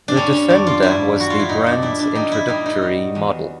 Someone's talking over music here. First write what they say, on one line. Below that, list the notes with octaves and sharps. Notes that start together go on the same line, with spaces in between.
The Defender was the brand’s introductory model.
D4
G3 C#4
C#4
F#2 D4
F4
G3 E4
F#2 F#4
F4
E4
A#2 D#4
D4
G3 E4
D4
G3 D#4
E4
G3 D#4
D#4
F#3
E2